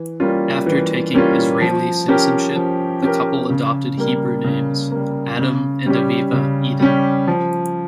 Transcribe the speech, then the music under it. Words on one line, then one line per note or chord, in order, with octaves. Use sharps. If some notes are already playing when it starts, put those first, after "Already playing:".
After taking Israeli citizenship, the couple adopted Hebrew names: Adam and Aviva Eden.
Already playing: E3
G3 A#3 C#4 F4
E3
G3 A#3 C#4 F4
F3
C#4 G4 A#4
F3
C#4 G4 A#4
C#3
G3 A#3
C#3
G3 A#3
C#3
G3 C#4 G4
C#3
G3 C#4 G4
F3